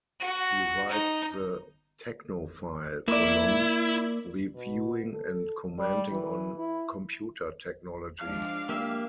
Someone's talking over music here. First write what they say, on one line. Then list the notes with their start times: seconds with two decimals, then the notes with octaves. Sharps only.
He writes the "Technofile" column, reviewing and commenting on computer technology.
0.20 F#4
0.90 D#4
3.08 A#3 E4 D5
4.55 B2
5.14 A4
5.78 G3
6.11 E3
6.58 E4
8.20 F3 G#3 D4 F5
8.69 A#3 G4 E5